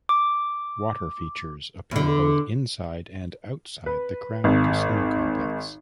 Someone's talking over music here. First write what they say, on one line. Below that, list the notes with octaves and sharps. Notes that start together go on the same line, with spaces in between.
Water features appear both inside and outside the Crown casino complex.
D6
E2 D3
B4
G#1